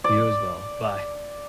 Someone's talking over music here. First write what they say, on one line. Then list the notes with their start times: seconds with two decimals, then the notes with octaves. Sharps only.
You as well. Bye.
0.04 D5